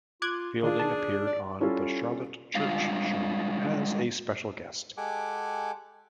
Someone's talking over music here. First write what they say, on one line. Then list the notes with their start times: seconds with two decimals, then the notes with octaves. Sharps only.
Fielding appeared on "The Charlotte Church Show" as a special guest.
0.22 F4 D6 F#6 G#6
0.63 D#3 D4 F4 G#4
0.79 D#3 A5
1.26 D5
1.60 G3 C#4 E4 F4 A4
2.55 G3 G#3 D4 F4 F5
4.97 G#3 G4 A4 F#5 G#5 D6